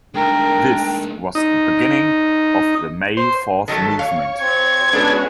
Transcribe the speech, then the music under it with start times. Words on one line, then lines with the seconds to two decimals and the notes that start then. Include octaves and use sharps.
This was the beginning of the May Fourth Movement.
0.14 D#3 G#3 A3 D4 A#4 G5
1.35 D#4
3.17 C5
3.68 D#3 F#3 A3 A4
3.99 C#5 F5
4.41 C4 G#6
4.93 G#3 B3 C#4 D4 F#4 A4